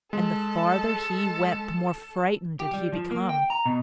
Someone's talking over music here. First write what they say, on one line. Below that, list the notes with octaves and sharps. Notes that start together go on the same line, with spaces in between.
And the farther he went the more frightened did he become.
G#3 A4
G4
G3
F3
A#3
G5
A#5
B2